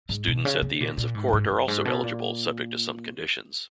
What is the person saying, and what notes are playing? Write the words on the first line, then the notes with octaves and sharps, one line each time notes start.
Students at the Inns of Court are also eligible subject to some conditions.
G#2
B2
C#3
C#3
A#2
A#2
G#2
F#2
G#2
F#2
G#2
B2
A#2